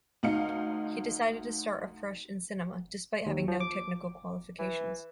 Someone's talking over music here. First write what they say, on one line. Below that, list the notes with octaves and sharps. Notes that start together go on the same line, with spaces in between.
He decided to start afresh in cinema, despite having no technical qualifications.
D2 D#4 F5 C#7
D#2
F3
D6
E3